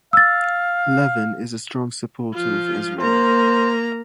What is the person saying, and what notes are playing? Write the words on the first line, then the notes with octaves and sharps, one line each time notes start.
Levin is a strong supporter of Israel.
F5 E6 A6
F3 F4
A#3 C5 A#5